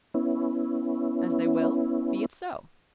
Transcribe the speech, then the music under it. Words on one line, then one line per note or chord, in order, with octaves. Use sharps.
As they will. Be it so.
B3 C#4 E4